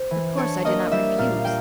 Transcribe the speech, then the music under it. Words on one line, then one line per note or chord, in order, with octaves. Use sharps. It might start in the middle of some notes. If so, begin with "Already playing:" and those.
Of course I did not refuse.
Already playing: C5
E3
D4 C#5
A#3 D#5
G3 E5
A#2 F5
A#3 G5